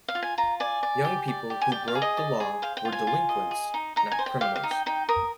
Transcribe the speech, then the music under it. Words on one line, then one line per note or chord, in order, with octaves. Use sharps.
Young people who broke the law were "delinquents," not criminals.
F5
F4
G#5
F4 A#5
D5 G#5
D5
G4
D5
G4
G#5
D5 G5
F5
G#4
D#5
D5
G#4
C5 F5
G5
F4
G#5
F4
D#5
G#4
D#4
D#4 A#5
G#5
C5
G5
G4 F5
F5
D#4
G5
D#4 G5
A#4 D#6